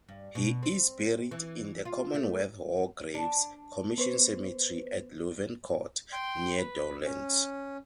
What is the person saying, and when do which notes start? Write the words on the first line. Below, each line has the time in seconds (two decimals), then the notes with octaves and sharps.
He is buried in the Commonwealth War Graves Commission cemetery at Louvencourt, near Doullens.
0.09 G2
0.35 B2
0.63 C4
1.31 E3
1.85 F4
2.14 A3
3.15 D4
3.98 B3 B4 C5
6.13 G5 C6
6.58 B4
7.05 C#4